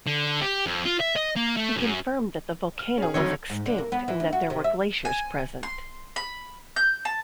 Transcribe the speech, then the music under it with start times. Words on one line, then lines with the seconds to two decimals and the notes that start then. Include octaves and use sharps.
He confirmed that the volcano was extinct and that there were glaciers present.
0.06 D3
0.41 G4
0.66 F2
0.85 F4
1.00 E5
1.16 D#5
1.36 A#3
1.57 A3
1.76 F#2
2.79 F6
2.98 C#4 G#4
3.14 F2 D3 D#3 F#3 D#4 C#5
3.50 G#2
3.66 D3
3.78 A#3
3.92 B3
4.08 E3
4.20 D2
4.33 F#4
4.50 C3
4.64 E5
5.05 G#5
5.63 C6
6.16 B5
6.76 G6
7.05 A5